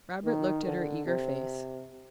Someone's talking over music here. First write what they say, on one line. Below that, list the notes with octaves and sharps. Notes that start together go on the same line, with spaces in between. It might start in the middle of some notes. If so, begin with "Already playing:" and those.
Robert looked at her eager face.
D#3
D3
C3